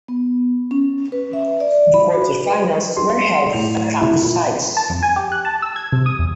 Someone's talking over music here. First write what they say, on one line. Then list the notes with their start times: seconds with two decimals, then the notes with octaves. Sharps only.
The quarterfinals were held at campus sites.
0.08 B3
0.71 C#4
1.12 B4
1.33 E5
1.60 D5
1.94 B5
2.14 F#4
2.44 B4
2.97 C6
3.53 A2 F7
4.01 E4
4.22 A#2
4.77 A5
4.90 F2
5.03 G#5
5.16 G4
5.32 F#6
5.45 A5
5.62 E6
5.76 G#6
5.92 C3
6.06 D#6
6.19 E2